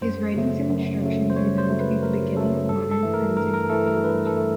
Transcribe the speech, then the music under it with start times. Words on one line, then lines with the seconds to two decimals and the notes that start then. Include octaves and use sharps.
His writings and instructions are known to be the beginning of modern forensic pathology.
0.01 F#2 C5
0.36 C#3 F#3 A3
0.69 F#2
1.02 C#3 F#3 A3
1.30 C5
1.35 F#2 C#5
1.58 C5
1.69 C#3 F#3 A3
1.80 B4
2.02 F#2 A#4
2.36 C#3 F#3 A3 A4
2.69 G2 A4
2.91 A4
3.03 E3 A3
3.14 A#4
3.37 G2 A#4
3.54 A#4
3.70 E3 A3 A4
3.86 A#4
4.04 G2 B4
4.27 A4
4.37 A3